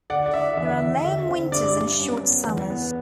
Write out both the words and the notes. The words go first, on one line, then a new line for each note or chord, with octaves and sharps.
There are long winters and short summers.
D2 D5 F#5
D5
D2 E5
E2 E5
E2
D2 E5
C4
G2 D5
G2
F#2
B3
E2
B3